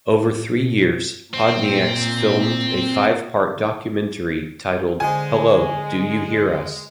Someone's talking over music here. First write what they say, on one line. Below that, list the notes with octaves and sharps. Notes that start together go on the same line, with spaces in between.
Over three years, Podnieks filmed a five-part documentary titled "Hello, do you hear us?".
A2
B2
A#2 C4
D3 G#3 C5 D#5 G#5